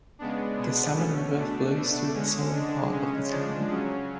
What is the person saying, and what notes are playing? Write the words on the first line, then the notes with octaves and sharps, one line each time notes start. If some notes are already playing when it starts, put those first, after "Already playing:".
The Salmon River flows across the southern part of the town.
C#3 G#3 B3 D4
B2 G#3 B3 D4
B2 A3 C#4
B2 A3 D4
B2 A3 D4
D3 G#3 C#4
D3 G#3 D4
C#3 G#3 C#4
F3 G#3 D4
C#3 F#3 C#4